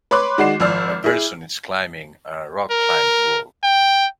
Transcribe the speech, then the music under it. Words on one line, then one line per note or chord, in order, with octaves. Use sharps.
A person is climbing a rockclimbing wall.
B4 C#5 C6 D6 F#6
D#3 G#3 F#4 D5 C7 E7
G#1 F3 D5 E6 F6
E4 G#4
A#4
G5